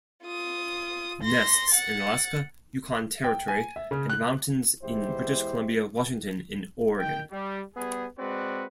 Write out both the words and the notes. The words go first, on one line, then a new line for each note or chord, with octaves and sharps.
Nests in Alaska, Yukon Territory, and mountains in British Columbia, Washington, and Oregon.
F4 D#6
C6 A#6
F#5 A6
G5
G#5
E5
C#3
F#6
E2 G#3 E4 G4 C5
D#3 G5
G3
G3 B3 G#4
G#3 C4 F#4 B4 D5